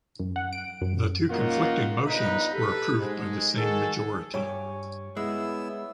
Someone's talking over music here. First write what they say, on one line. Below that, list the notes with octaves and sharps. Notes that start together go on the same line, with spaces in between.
The two conflicting motions were approved by the same majority.
F#2
F#5
D7
F#2
A#3 C#4 D#4 F4 F#4 F#5
G1 D#4 B4
G4 A4 B4
G#2 G#3
D#3 G#3 F#4 G#4 A4
G2 C#5 G#5 D6
G#3 B3 E4 E6